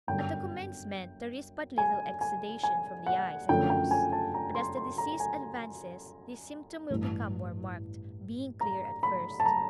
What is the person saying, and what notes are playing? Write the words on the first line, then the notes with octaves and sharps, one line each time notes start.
At the commencement there is but little exudation from the eyes and nose, but as the disease advances this symptom will become more marked, being clear at first.
G1 F#2 D3 G3 G5
G#5
G#5
G#5
F#5
F#2 D3 F3 A3 C#4 G5
G5
G#5
A5
A#5
C6
C6
A#5
G#5
A1 G2 E3
A#5
B5
A5
A#5